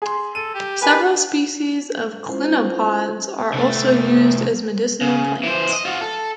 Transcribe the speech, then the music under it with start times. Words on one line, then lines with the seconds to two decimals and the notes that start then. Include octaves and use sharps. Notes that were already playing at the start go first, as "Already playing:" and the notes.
Several species of clinopods are also used as medicinal plants.
0.02 G#4 C6
0.35 A4 D#7
0.54 G4
0.82 G4 A#4 B4 G#5
2.27 G#3 C#4 E4 F4 C5
3.54 C2 A3
5.01 C#3
5.43 E3 C5
5.73 D#5
5.85 F4 F#4
6.01 A4